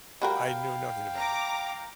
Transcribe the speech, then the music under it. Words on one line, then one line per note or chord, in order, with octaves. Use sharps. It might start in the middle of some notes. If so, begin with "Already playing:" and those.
I know nothing about it.
G3 F#4 A#4 F5 G5 B5
A#5 D6